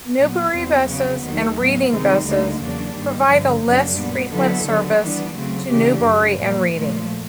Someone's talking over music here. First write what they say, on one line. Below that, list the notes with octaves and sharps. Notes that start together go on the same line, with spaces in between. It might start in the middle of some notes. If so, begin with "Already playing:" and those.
Newbury Buses and Reading Buses provide a less frequent service to Newbury and Reading.
A#2 F#3 B3
E2 B2 G3 C4
C#3 F#3 B3
D#2 D#3 F#3
A2 F#3 B3
C3 D#3 G#3 C4 D#4
D2 D3 G3 A#3 D#4
E2 C#3 F#3 A#3 D4
G#2 D#3 G3
G2 D3 F3
F#2 C#3 F#3 A#3 D4
A#2 G3 B3
D3 F#3 B3 E4 A4
D#2 D3 F#3 B3
E3 G3 B3 D4
C#3 F#3 A3 C4
C#3 E3 A3 D4 G4
F#2 C#3 F#3
A#2 F3 A#3
A#2 F3 A3